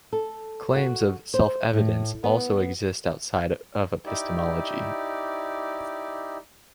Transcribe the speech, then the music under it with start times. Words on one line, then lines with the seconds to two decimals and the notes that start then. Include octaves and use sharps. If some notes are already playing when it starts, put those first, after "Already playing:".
Claims of "self-evidence" also exist outside of epistemology.
0.13 A4
0.76 F#4
1.34 C5
1.73 A2
2.24 B3
4.06 D#4 E4 G4 D5